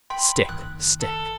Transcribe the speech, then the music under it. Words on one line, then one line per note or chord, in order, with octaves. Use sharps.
'Stick, stick!
G5 B5 C6
F#1 D#3 F#6
A4